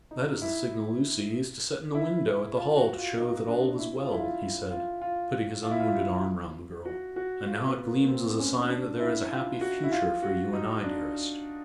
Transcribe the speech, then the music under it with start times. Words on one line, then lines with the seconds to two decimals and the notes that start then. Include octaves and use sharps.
"That is the signal Lucy used to set in the window at the Hall to show that all was well," he said, putting his unwounded arm round the girl, "and now it gleams as a sign that there is a happy future for you and I, dearest."
0.11 D#4
0.42 E4
1.95 E4
2.57 F4
2.77 F#4
2.97 F4
3.17 D#4
3.48 D4
3.79 E4
3.99 F4
4.12 E4
4.20 F4
4.71 F4
5.02 F4
5.63 F4
5.71 E4
5.80 F4
6.85 F#4
7.16 F#4
7.47 F4
7.67 B3
7.87 A#3
8.08 C4
8.39 C#4
8.59 D#4
8.69 D4
8.99 E4
9.31 F4
9.61 F#4
9.84 E4
9.92 F4
10.22 F#4
10.53 D#4
10.84 D4